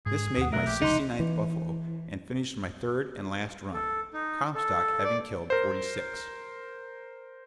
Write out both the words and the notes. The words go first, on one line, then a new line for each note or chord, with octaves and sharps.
This made my sixty-ninth buffalo, and finished my third and last run, Comstock having killed forty-six.
G#2 G#4
D#2 F#5 D#6
B2 F#3 A3 A#4 E5 F#6
A#1 G4
F1 C#2 F3 D#4 C6 F#6
E3
A4
D#4
A4
D5
A#4 C5